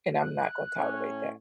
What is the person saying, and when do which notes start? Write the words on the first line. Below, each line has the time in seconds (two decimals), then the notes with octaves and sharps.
and I'm not gonna tolerate that.
0.21 F#6
0.77 A2 C#4 C#5